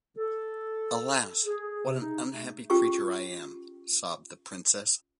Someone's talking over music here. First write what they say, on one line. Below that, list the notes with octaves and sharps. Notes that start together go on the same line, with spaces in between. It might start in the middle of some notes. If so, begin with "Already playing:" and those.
"Alas, what an unhappy creature I am!" sobbed the princess.
A4
G#4
C3
D#4
A3
C#4 F4 G4 G#4 C#6